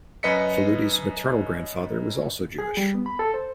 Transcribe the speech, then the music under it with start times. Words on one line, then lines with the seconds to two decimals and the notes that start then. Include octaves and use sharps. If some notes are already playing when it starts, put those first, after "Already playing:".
Faludi's maternal grandfather was also Jewish.
0.23 F#2 B4 D#5 B6 C#7
2.59 G#4
2.77 G3
2.95 B3
3.06 B5
3.19 A4
3.34 C5